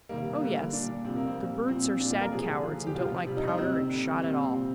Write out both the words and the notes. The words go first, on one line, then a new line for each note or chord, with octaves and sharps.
"Oh yes; the brutes are sad cowards and don't like powder and shot at all."
C3 D#3 G3 A#3
D3 G3
A#2 G3 D4
C3 F3 C4
A#3
C4
A#2 G3
A#2 F3 C4
A#2 G3 D4
F4
A#4
C3 F3 G#4
D3 F3
G4
C3 F3 F4
C3 G3
D#4
D#4
C3 G3 C4
D3 G3
A#2 G3 C4
C3 F3 C4